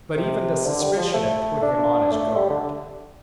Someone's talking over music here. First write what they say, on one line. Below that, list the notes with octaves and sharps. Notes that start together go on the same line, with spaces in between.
But even the suspicion had put him on his guard.
C3
D3
G3
F3
A3
D4
A3
G3
D3